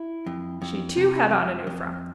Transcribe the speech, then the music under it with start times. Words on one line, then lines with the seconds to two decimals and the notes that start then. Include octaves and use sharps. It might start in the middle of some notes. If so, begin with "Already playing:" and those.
She, too, had on a new frock.
Already playing: E4
0.26 F2
0.62 F2
0.97 C3
1.31 F2
1.67 F2